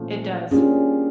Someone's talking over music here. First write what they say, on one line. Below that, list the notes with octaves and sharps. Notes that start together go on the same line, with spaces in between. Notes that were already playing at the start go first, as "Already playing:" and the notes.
It does.
Already playing: A#2 F3 A3 C#4 F4
G3 A#3 C#4 D4 F4 G#4